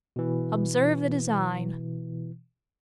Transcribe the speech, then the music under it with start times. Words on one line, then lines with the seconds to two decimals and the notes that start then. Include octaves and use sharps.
Observe the design!
0.16 B2 E3